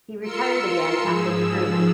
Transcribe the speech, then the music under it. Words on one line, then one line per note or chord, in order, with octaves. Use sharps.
He retired again after the tournament.
F4 A#4 C6 E6 C#7
G#2 F3 G#3 E6